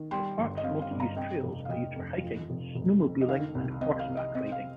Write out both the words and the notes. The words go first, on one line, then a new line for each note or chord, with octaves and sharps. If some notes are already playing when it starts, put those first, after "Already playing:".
The park's multi-use trails are used for hiking, snowmobiling and horseback riding.
Already playing: D#3
G3 G5 C6
G1
D#5
C4 F5
F5
G2
F5 A#5
C3 D#5 G5
F1
F5
F1 D#5 G5
F2
F3
F1
F1
F2
D#5
D#3 F5
C2
C4 D#5
F5
C3
D#5
C4 D#5
F5